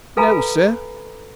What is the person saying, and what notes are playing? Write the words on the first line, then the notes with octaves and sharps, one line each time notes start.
"No, sir."
A4 B4 F5 G#5 A#5 B5